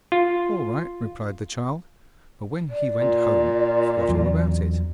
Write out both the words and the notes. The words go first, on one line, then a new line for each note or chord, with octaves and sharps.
'All right,' replied the child, but when he went home forgot all about it.
F4
D5
A#2
E2 F#3